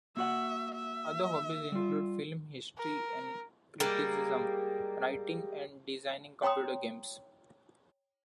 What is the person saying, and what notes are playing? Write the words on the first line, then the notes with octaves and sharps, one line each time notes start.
Other hobbies include film history and criticism, writing, and designing computer games.
A#3 F#4 E5 F#5
E5
G3 F4
A#4
G3 G#3 A#3
C#5 G5 A#5 C6 D#6